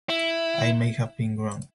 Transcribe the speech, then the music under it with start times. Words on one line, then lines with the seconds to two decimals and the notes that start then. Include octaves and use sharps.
I may have been wrong.
0.09 E4